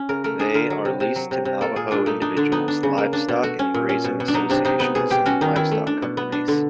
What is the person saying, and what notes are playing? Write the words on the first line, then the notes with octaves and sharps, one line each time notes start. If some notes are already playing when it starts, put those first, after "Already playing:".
They are leased to Navajo individuals, livestock and grazing associations, and livestock companies.
Already playing: C#4
C#3 A#4
A3 A#4
D4 G#4
D3 A#4
F#3
C3
C3
F#3
C3
C3
A#3 A4
A#2 G#4
A#2 D4
A3 D#4
D4 D#4
D3 D4
B3 D#4
D4
C#3
A#3
D4
B2
A3 F#4
C#4
A#2
C#4
B2
B2
D4
F#3 D#4
C3 D4
C3 D#4
B3 D#4
B2 G#4
B2 G4
C#4 F#4
D#3 D#4
D#3 E4
A3
D4
B2
B3
D4
D3